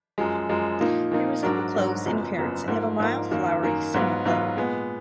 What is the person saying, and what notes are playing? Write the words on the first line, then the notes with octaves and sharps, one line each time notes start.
They resemble cloves in appearance and have a mild, flowery cinnamon flavor.
F#2 F3 G#3
F#2 F3 G#3
A#2 F3 A#3 D#4
A#2 F3 A#3 D#4
G#2 F#3 D4 F#4 A#4
G#2 F#3 D4 F#4 A#4
F#1 F#2 F3 B3
F#1 F#2 F3 B3
G#2 F3 A#3
G#2 F3 A#3
F#2 D#3 A#3
F#2 D#3 A#3
G#2 F#3 B3 F4
G#2 F#3 B3 F4
A#2 G#3 B3